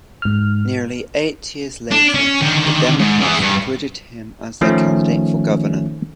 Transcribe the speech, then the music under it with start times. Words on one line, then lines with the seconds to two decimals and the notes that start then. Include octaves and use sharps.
Nearly eight years later the Democrats recruited him as their candidate for Governor.
0.22 G#2 F6
1.91 D4
2.14 C#4
2.41 D3 D#3
2.99 G#2
3.20 E3 G#4
3.40 G2
4.61 D#3 F3 A3 C#4